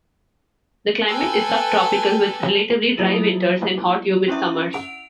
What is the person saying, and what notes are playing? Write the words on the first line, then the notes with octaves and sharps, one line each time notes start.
The climate is sub-tropical with relatively dry winters and hot humid summers.
A4 B4 G5 G#5
F#3 A#3 E4 F4
C#4 D4 E4 E5
F#5 D7 F7